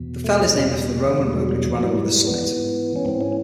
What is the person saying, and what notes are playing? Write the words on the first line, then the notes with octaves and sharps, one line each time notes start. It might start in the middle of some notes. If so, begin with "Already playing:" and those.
The fell is named after the Roman road which ran over the summit.
Already playing: E2 B2
A3
G#3
E2 B2 G3
G3
E2 B2 G3
F#3
G3
F#3
G#2 E3 F#3
G3
G3
B3
G#2 E3
C#4
G#2 E3 C4
C#4